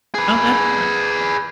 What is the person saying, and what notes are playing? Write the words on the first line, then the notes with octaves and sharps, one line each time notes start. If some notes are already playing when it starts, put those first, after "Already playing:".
Oh, that's fine.
G#4 B4